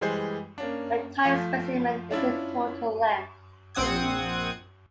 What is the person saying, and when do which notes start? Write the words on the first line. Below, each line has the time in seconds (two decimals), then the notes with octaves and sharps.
The type specimen is in total length.
0.01 E3 G3 G#3 G4 G#4 C5
0.58 A#3 C#4 D4
1.25 F3 A3 F4
2.11 C#4 D4 E4 F4
3.75 A#1 C4 F#5 D#6 G#6